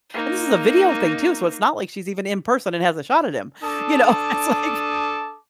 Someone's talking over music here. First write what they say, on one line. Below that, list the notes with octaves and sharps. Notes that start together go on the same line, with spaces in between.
and this is a video thing too, so it's not like she's even in person and has a shot at him. You know, it's like
A#3 D#4
D4 A4 A5 D6 D#6